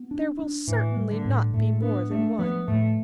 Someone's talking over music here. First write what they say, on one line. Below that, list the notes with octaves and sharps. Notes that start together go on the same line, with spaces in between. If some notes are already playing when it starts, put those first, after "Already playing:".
There will certainly not be more than one.'
Already playing: B3
D4
D4
A2 E3
G3
D3
A2
A2 A3
B3 D4
A3 D4
F3 B3
A2 A3